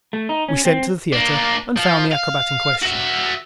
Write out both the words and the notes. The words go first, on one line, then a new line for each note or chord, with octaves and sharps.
We sent to the theater and found the acrobat in question.
A3
D#4
C#4
C4
A#3 D4
F3
F5
F#4 E5